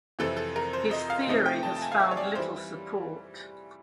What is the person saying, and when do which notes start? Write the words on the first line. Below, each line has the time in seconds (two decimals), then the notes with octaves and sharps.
His theory has found little support.
0.19 F2 C3 E3 A4
0.37 A4
0.56 A#4
0.73 C5
0.91 D#5
1.10 F5
1.27 C3 F3 A3 C4 D#4
1.46 G5
1.63 A5
1.76 A5
1.82 G#5
1.92 F5
2.00 E5
2.11 C#5
2.17 D5
2.35 C5
2.38 E3 G3